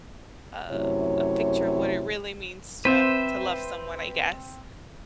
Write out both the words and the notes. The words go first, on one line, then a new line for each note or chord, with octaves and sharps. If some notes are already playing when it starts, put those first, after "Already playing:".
Uh, a picture of what it really means to to love someone, I guess.
F#2 C3 A3 E4 C#5
C4 B4 C5 E5